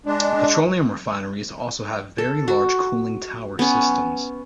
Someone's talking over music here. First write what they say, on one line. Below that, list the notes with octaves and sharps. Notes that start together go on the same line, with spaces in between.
Petroleum refineries also have very large cooling tower systems.
G#3 D4
A4
F#4
B3 C#4